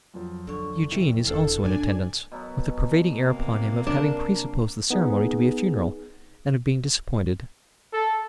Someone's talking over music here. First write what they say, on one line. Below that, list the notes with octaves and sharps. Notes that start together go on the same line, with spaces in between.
Eugene is also in attendance, with a pervading air upon him of having presupposed the ceremony to be a funeral, and of being disappointed.
F2 F3 F#3
D3 D#4 C#5
F2 C3 E3
F1 D3 A4 F5
G#1 D4 D5 G#5
B2 F#3 B3
C3 A#3
D4 A#4
B3 D#4 G#4
A4